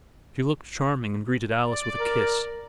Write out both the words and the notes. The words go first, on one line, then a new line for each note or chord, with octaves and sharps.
She looked charming, and greeted Alice with a kiss.
D5
A#4